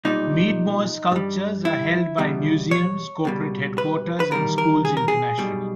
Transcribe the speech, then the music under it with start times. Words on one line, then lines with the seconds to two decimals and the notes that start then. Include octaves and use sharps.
Meadmore's sculptures are held by museums, corporate headquarters, and schools internationally.
0.05 B1 A#2 G3 D#4
1.12 G2 G3
1.65 E4
2.18 E2 B2 G3
2.71 C#5
3.25 C#2 B2 G3
3.78 B4
4.20 B4
4.31 E2 D#3 G3 A#4
4.58 A#4
4.85 G#4
4.97 A#4
5.08 G#4
5.38 B1 B2 G3